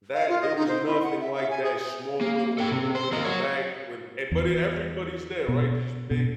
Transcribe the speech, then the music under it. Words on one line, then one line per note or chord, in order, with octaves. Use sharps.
that there was nothing like that small little room in a back with e but it everybody's there, right? Just big,
F5
F4
D#5
D#4
C5
E4
F#5
E5
E5
G#5
G#4
A#3
A4 G5
C3
C5
A#3 D#5
F#4 C#5
E2
B2
B2